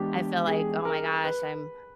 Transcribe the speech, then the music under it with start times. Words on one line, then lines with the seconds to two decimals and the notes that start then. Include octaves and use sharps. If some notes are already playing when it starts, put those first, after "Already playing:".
I feel like, "Oh my gosh. I'm"
Already playing: E3 G#3 B3 D4 G4
0.47 G#4
0.85 A#4
1.24 B4